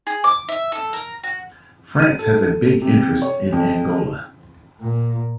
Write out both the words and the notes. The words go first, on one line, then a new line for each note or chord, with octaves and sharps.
France has a big interest in Angola.
G#4
D6
E5
A4
A#4
F#4
D#7
A4
C3
C#5
F2
A#2